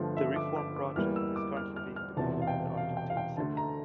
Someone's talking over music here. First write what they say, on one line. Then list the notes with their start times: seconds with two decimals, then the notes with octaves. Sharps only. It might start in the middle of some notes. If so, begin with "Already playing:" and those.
The reform project is currently being debated in the Argentine Senate.
Already playing: G1 G2 F3 A3
0.17 E5
0.36 D6
0.56 D6
0.76 D6
0.96 E2 E3 G3 A#3 F6
1.16 E6
1.36 D6
1.57 F6
1.76 F6
1.96 F6
2.17 E1 E2 C3 A5
2.42 F5
2.47 G5
2.77 F5
2.97 G5
3.10 F5
3.17 G5
3.37 D2 D3 A3 A5
3.57 A#5